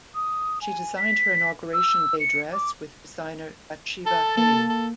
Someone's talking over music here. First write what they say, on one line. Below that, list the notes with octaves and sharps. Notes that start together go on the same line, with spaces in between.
She designed her inauguration day dress with designer Batsheva Hay.
D#6
G#5
B6
E6
C#7
D6
A4 A5
A#3 A4
A4